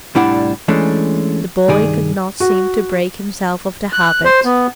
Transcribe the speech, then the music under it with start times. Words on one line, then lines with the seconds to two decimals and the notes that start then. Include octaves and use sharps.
The boy could not seem to break himself of the habit.
0.15 C2 A2 G3 D4 E4 F#5
0.68 E3 G#3 A3 C#4 D4
1.68 C2 G2 D#3 G#4 D5
2.40 F#4
3.93 F#6
4.25 C5
4.45 B3